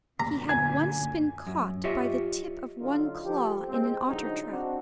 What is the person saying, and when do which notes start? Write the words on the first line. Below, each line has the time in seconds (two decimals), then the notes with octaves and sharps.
He had once been caught by the tip of one claw in an otter-trap.
0.20 F#2 A#2 D3 A#5
0.49 G#5 G#6
1.47 F#2
1.84 F4 G4 C#5 D#5 E5
2.79 D3 F#3 D#4 F4
3.24 F3 G4 A4
3.68 G#3 C4
4.06 A2 D3 F3 F#3 G#3 D#4
4.49 C4 D4 F#4